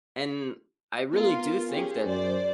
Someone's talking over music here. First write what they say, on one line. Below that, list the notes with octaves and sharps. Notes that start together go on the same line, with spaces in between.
And I really do think that
B3 F4 A#4
C#4 G4 G#4
F#2 C5 D5